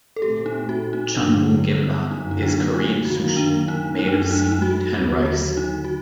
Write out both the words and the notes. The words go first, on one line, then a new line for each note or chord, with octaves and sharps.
Chungmu gimbab is Korean sushi made of seaweed and rice.
A4
A#2 A3 C4 G4
D#4
F#4
D#4
G2 D3 F#3 D4
F#2 D3 F#3 A#3 D#4
D#4
D4
D#4
F#2 D#3 F#3 A#3 F#4
D4
D#4
F#2 F#3 A3 D#4
D4
D4
D#4
D#4
F#4
D#2 D3 F#3 F#4
F#4
D#4
F#4